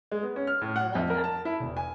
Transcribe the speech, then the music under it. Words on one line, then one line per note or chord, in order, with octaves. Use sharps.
I love that.
G#3
B3
C#4
F6
A2
F#5
F2
A#4
A5
E4
E1
G#5